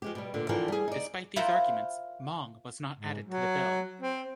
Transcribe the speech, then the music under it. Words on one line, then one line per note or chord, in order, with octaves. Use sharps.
Despite these arguments, "Mong" was not added to the bill.
F3 G#3 G4
B2 G3
A#2 D3
D3 E3 F3 F4 A#4 G5
G3 G#4
D#4 D5
E4 F4 A#4 C5 F#5 G5
G#2
F#3
C4